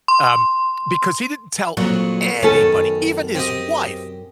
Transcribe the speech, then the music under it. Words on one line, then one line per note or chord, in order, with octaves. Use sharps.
um, because he didn't tell anybody, even his wife
C6
F2 A#2 F#3
F#2 D#3 B3 C#4 A4
C4 G4 D#5